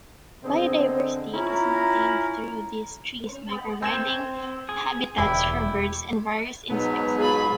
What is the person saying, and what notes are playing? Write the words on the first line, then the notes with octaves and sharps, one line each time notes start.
Biodiversity is maintained through these trees by providing habitats for birds and various insects.
D3 B3 C4 G#4 D#5
C#4 E4 F4 A#5
C4 C6 G#6 E7
G#4
E1 E4 G5 B5 D6
G#2 B2 F#3 B3
F4 G#4 B5